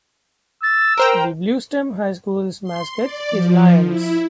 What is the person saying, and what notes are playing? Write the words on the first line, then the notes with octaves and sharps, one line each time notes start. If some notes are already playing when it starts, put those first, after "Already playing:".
The Bluestem High School mascot is Lions.
E6 A6
A#4 C5 G5 A#5
C6
D5
F3
E4